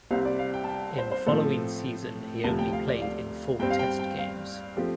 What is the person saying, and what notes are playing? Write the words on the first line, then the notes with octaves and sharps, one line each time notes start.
In the following season he only played in four test games.
C2 C3 G3 C4 F5
D5
F5
G5
A5
G5
C5
C5
A2 F3 C4 A4
D2 C3 F3 A3 A5
G5
F5
D5
F5
G2 G3 C4 G5
F5
G5
G5
F5
F3 A3 C4 G4